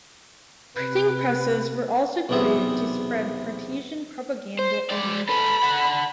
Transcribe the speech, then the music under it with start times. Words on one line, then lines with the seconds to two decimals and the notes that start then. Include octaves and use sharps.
Printing presses were also created to spread partisan propaganda and news.
0.77 C3 B4
2.29 B1 E2 C3 B3 G#4 E5
4.59 C5
4.90 G#3 D5
5.29 A4 B4 B5
5.63 A4 F#5